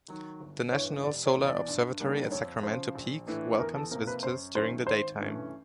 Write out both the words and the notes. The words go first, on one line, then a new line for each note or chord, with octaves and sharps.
The National Solar Observatory at Sacramento Peak welcomes visitors during the daytime.
D#3 F#3
G1
G2 E3 C#5
F1 D5
C#5
E2 B2
D5
G2
D#3 G3 A#3 D4
F2 C#5
C#3 F3 C5
A#1
A2 E3 A3 D4
E2 A#4
A4
C3 F3 A#3 A#4
B4
F#2 C5
D#3 F#3 A3 C#4 C5
G#1 C5
G2 E3 A3 C#4